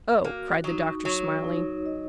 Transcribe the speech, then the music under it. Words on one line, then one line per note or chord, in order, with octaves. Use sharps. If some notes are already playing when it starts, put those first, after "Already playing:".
"Oh," cried the doctor, smiling.
A#3 F#4
F#3 D#4
F#3 C#5
D#4
D#5